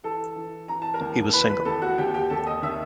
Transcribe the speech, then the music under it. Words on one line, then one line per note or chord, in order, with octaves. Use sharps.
He was single.
E3 A4 A5
E3
E3 A#5
A5
A#4 A#5
D#2
E3 B4 B5
B4 B5
D#2 A4 A5
F#4 F#5
D#2 G4 G5
G4 G5
D#2 A4 A5
D#5 D#6
D#3 E5 E6